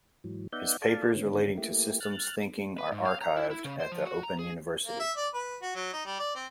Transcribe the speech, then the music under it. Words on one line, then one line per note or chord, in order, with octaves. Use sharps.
His papers relating to systems thinking are archived at the Open University.
G#2 E3 F#3
B3 D#4 D5 E5 F#5 G6
A4 D5 F5 A5
G#2 D3 D#3 B3 C#4
A3 A#3 E4 G4
F6 F#6 A6
B4
G#2
F5
A#5
E4
E4
C#3
C5
F3
F#4
A#5
G#4
A#3
E5
D5
B4
F#4
F#3
D#4
G3
D5
C4